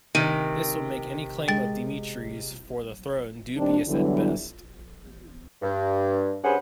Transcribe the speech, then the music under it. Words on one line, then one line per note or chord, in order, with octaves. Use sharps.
This would make any claim of Dmitry's for the throne dubious at best.
C3 D#3 D#7
G#3 G5 A6
D#3 G3 C4 D4
D3 E3 F#3 G3 B3 E4
G2
G2 C#4 G#4 B4 C5 F#5